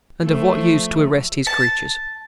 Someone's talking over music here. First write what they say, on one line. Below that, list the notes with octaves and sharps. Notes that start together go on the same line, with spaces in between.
And of what use to arrest his creatures?
F3 A3
A5